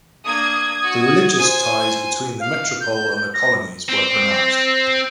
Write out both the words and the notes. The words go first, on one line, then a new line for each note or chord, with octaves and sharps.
The religious ties between the metropole and the colonies were pronounced.
A#3 D4 D#6 G#6
F#4
C5 G#5
F5
G6
A#6
C4